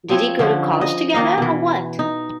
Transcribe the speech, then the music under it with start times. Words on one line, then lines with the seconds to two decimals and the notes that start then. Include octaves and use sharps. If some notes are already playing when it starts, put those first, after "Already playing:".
Did you go to college together, or what?
0.09 F3 C4 C#5
0.39 D3 F3 C#4
0.81 D#5
1.14 D#3 A#3 D#5 F5
1.38 B2 E3
1.99 D#4